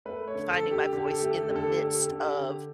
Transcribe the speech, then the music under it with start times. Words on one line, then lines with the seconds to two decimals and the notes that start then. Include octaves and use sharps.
finding my voice in the midst of
0.05 A3 B4
0.27 C#5
0.35 D3
0.49 A4
0.63 D3
0.71 G4
0.92 D3 G4
1.05 A4
1.18 A3 G4
1.31 A4
1.43 G4
1.51 D3 A4
1.68 G4
1.79 D3 A4
1.93 G4
2.07 D3 A4
2.19 G4
2.37 D3